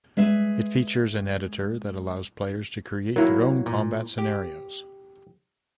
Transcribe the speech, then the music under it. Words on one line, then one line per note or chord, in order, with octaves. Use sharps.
It features an editor that allows players to create their own combat scenarios.
G#3 B4 E5
F#3 A#3 E4 A#4
A#2
G4